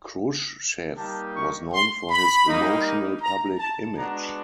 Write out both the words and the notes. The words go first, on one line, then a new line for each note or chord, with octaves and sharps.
Khrushchev was known for his emotional public image.
G3 A#3 D#4 G4 A5
C#6
C6
B5
G3 A#3 D#4
A#5
A5
G#3 B3 D4 F#4 A#5